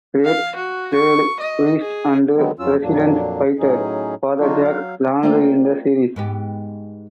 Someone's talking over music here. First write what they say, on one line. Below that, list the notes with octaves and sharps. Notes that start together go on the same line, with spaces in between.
Gretsch played priest and resistance fighter, Father Jack Landry in the series.
F5
F#4
C#6
D#5
G#4
D3 D#3 F#3 G#3 B3 C4
F2 F#3 C#4 F4 E6
F2 A#2 F#3 A#3 D4
A2 F#3 C#4 D#4 G#4
D3 F#3 D4 D#4 F4 F#4
F#3 F5
A3 A#3 F4 C5 D5 G5
G#2 B3 G4